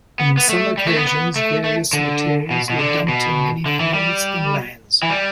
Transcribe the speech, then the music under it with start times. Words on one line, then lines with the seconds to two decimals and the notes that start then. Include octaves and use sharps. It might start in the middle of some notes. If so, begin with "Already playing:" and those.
In some occasions, various materials were dumped in many fields and lands.
0.20 B3
0.37 B3
0.49 A3
0.78 G3
0.87 A3
0.97 B3
1.07 B3
1.36 A3
1.64 A3
1.93 D3
2.51 B2
2.70 B2
2.79 D3
3.08 B2
3.66 D3
3.80 E3
3.94 G3
5.03 E3
5.10 G3